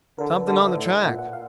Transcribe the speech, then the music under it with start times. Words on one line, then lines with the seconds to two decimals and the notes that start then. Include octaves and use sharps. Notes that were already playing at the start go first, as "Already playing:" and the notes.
Something on the track.
0.18 D3 A#4
0.33 B4
0.47 D3 D5
0.61 E5
0.76 A2 E5
1.04 A#2 F#5
1.19 F#5
1.33 F5